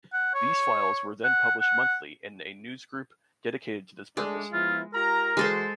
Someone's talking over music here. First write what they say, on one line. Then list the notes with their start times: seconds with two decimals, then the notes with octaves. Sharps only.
These files were then published monthly in a newsgroup dedicated to this purpose.
0.13 F#5
0.34 C#5
1.24 F#5
1.61 F#5
4.17 G#3 A3 D4
4.53 F3 B3 E4 F4
4.94 F4 G4 A#4 A#5
5.37 E3 G#3 F#4 A4 C5